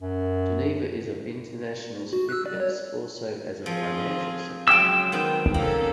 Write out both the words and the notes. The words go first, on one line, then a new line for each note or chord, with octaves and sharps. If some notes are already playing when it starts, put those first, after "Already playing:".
Geneva is of international significance also as a financial center.
F#2
F#4
E6 F#6
D5
C#5
F3 C4 F4 G#4
C#3 F#3 G#3 G5 E6
D#3 B3 C4
C3 A#3 C#4 A4